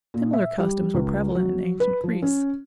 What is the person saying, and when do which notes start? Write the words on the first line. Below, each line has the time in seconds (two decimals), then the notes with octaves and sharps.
Similar customs were prevalent in Ancient Greece.
0.14 A#2
0.33 E5
0.58 G3
0.94 C#2
1.35 F#3
1.80 B4
2.04 F3
2.22 C#4